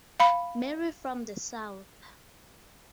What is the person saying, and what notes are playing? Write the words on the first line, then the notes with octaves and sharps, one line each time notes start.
Marie from the south.
F5 B5